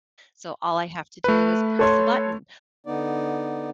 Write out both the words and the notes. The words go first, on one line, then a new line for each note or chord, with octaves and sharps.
so all I have to do is press a button,
A3 B4
A4 C#5 C6
D3 B3 D#4 D5